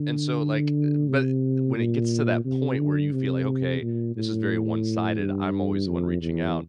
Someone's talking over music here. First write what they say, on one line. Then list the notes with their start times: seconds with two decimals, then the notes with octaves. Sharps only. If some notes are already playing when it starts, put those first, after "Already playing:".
And so, like, uh but when it gets to that point where you feel like, "Okay, this is very one-sided, I'm always the one reaching out."
Already playing: D3
1.08 C3
1.76 A#2
2.45 C3
2.79 D3
3.13 C3
3.82 A#2
4.16 A2
5.19 G2
5.87 F2
6.21 E2